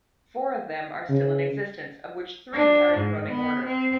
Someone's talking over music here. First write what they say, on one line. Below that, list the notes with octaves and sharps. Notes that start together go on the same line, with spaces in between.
Four of them are still in existence of which three are in running order.
C#3
D4
G#2
B3
C4